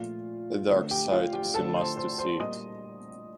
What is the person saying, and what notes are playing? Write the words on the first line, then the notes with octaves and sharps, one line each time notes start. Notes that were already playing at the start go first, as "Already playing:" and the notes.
A dark site is a must to see it.
Already playing: A#2 F3 A3 F4 F5
D3 A3 C4
G4 G5
F4 F5
G4 G5
D3 F3 A3 C4 A4 A5
C5 C6
C5 C6
C5 C6
A#2 G3 A#3 D#5 D#6